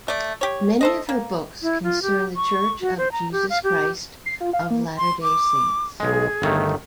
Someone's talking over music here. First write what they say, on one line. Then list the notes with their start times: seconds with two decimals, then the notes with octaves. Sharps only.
Many of her books concern The Church of Jesus Christ of Latter-day Saints.
0.08 A3 D5
0.41 G4 C#5
0.81 A4 C5 D#5
1.09 A#3
1.62 E4
1.83 F4
2.02 G4
2.36 C#6
2.81 F#4
2.98 C5
3.12 A#5
3.32 G4
3.50 F5
3.64 G4
4.26 C7
4.40 F4
4.53 F5
4.70 A#3
4.97 C6
5.23 D6
6.00 B1 G#3 G#4
6.42 G1 D#3 A3